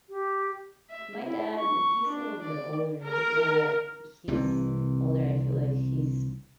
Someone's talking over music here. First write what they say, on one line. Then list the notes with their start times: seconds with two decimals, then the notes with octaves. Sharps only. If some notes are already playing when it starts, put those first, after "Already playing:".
my dad, n he's a little bit older. Now that he's older, I feel like he's
0.09 G4
0.89 E5
1.24 E4
1.58 C#6
2.07 D4
2.42 D5
3.07 A#4
4.28 C2 C3 E3